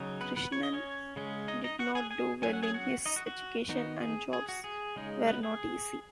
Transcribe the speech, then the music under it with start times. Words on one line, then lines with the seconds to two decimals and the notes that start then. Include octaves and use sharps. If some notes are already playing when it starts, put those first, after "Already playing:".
Krishnan did not do well in his education and jobs were not easy.
Already playing: C#3 F#3 D#4
0.21 B3 B4
0.36 B3 B4
0.52 C#5
0.63 D#5
0.73 C#4 C#5
1.16 C#3 G#3 C#4
1.48 D#4 D#5
1.64 D#4 D#5
1.79 F#4 F#5
1.95 G#4 G#5
2.11 G#4 G#5
2.42 F#3 C#4 G#5
2.53 F#5
2.63 G#4 G#5
2.74 F#4 F#5
3.06 D#4 D#5
3.16 F#4
3.27 F#4
3.69 D#3 B3 D#4 F#4
4.00 G#4
4.33 G#4
4.49 F#4
4.64 G#4
4.96 C#3 G#3 D#4
5.27 B3 B4
5.43 G#4